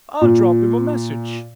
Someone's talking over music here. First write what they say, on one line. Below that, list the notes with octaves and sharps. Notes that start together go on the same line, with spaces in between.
"I'll drop him a message!"
A#2